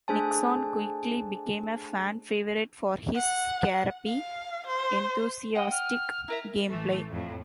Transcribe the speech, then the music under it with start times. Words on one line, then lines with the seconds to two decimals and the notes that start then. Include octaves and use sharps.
Nixon quickly became a fan favorite for his scrappy, enthusiastic gameplay.
0.08 A3 D4 G#4 C5 G#5 A5
3.14 F#5
4.07 F5
4.67 C5
5.55 D#5 F#5 G5
5.71 F6
6.28 E4 A#4 E5 A#5
6.68 A1 E3 A3
7.10 F2 A2